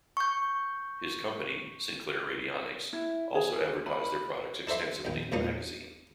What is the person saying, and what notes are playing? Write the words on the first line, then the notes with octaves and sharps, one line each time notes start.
His company, Sinclair Radionics, also advertised their products extensively in the magazine.
C#6 G6
E4
G#4
B5
D4 A4 C5 E5 C6
A#1 D#2 G5
E2 A#2 G#3 C#4 D#4